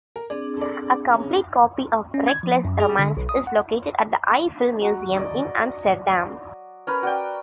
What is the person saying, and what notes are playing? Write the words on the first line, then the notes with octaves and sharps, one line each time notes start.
A complete copy of "Reckless Romance" is located at the Eye Filmmuseum in Amsterdam.
A#4
C4 D4 G#4 D5
A4 D5
C#4
C#4
G#6
F3
F#2
G#4
D3
B1
D#6
F#5
F#3 F#4
D5 D#5
C#4 A#4 B4
F#4 D5 G5